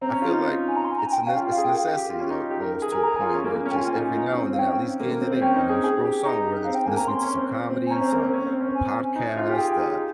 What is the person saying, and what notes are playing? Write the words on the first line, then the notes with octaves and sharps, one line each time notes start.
I feel like it's a n it's necessity though, almost to a point where it just every now and then at least getting it in, you know, scroll somewhere, lis listening to some comedy, some a podcast, a
C4 A#5
C#4
F4
D#4
G#5
A#5
C6
G#5
A#5
G#5
G5
C#4 F5
F4 G5
G4
F5
G#4
A#4 G5
F5
G4
F4
C#4
D#4
G4
A#4
G#4
A#4 G#5
G#4 A#5
F4 G#5
C#4
A#3
A#3
C#4
G5
F4 G#5
F4
D#4
D#4
C#4
C4
C4
F5
C#4 G5
A#3
A#3
C4
C4
C#4 G5
D#4
G#4
G#4
G4
D#4 A#5
C4 F5
G5
A#3 G#5
A#5
C#4
C4 C6
C#4
C4
C4
C4
G#5
C#4 A#5
C4
A#3
C4
C#4
C4
C#4
G#5
D#4
F4
G4 G#5
G#4 G5
G4
D#4
F4